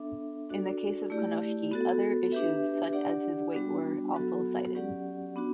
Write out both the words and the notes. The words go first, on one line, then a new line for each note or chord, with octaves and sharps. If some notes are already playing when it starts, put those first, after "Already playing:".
In the case of Konishiki, other issues such as his weight were also cited.
Already playing: B3 D4 A4 E5
D4 F#4 A4 D5
A3 E4 G4 D5
B3 F#4 A4
D4 G4 B4 E5
D4 G4 D5 F#5
G3 B3 D4 F#4
F#3 B3 F#4 A4
F#3 C#4 G4 D5 F#5
B3 D4 F#4